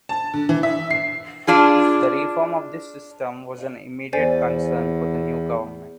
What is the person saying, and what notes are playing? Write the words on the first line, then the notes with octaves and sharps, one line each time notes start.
The reform of this system was an immediate concern for the new government.
A5
D3
E3
E5
C7
D4 F4 G#4
E2 C5 D5 G#5